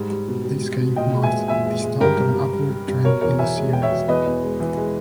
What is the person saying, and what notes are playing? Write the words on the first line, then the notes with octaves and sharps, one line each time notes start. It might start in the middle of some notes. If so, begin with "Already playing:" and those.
This game marks the start of an upward trend in the series.
Already playing: G#2 G3
G3
B2
G3
G3
B2
A#2 D#5 G5
G#3
E5 G#5
G#3
A#2 E5 G#5
G#3
G#3
G2 G4 A#4
G3
G3
G3
G3
G2
B2 A#4 C#5
E2 A#4 C#5
E2 E5 G#5
G#3
E2 G5
C#5 E5
B2
E2 B4 D#5
E2
G#3
E3
G#3